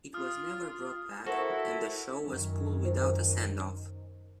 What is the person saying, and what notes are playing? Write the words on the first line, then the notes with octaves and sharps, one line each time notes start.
It was never brought back, and the show was pulled without a send-off.
F4 D#6 F6
E4 F#4 A4 A#4 C5
F#2 D#3
C5